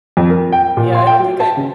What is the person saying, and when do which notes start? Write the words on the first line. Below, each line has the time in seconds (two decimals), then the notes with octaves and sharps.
yeah, I don't think I
0.17 F2
0.30 A#4
0.52 G5
0.77 A#2
0.95 C6
1.07 G5
1.20 F#3
1.40 A5
1.57 C#3